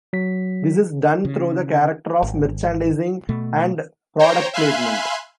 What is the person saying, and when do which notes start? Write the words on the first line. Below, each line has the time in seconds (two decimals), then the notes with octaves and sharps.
This is done through the character of merchandising and product placement.
0.13 F#3 B6
1.25 C#3
2.23 G#1
3.29 B2 A3
4.19 C5 C#5 G5 A#5
4.54 E5 F5 G#5 B5 C6 F#6